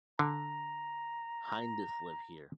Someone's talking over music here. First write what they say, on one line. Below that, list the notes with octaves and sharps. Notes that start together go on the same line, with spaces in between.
Hindus live here.
D3 A#5